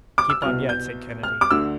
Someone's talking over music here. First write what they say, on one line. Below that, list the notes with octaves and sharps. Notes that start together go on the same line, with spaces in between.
"Keep on yet," said Kennedy.
D6
E6
C2 B2 F6
G6
F6
D6
D2 D3 E6